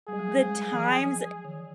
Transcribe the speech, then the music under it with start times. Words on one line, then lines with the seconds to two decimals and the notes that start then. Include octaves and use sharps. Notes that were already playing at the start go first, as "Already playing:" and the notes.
the times, eh
0.08 G3 G#4
0.19 F#3
0.31 G3
0.43 G#3
0.56 G3
0.72 E3
0.80 F3
1.45 D#3
1.51 E3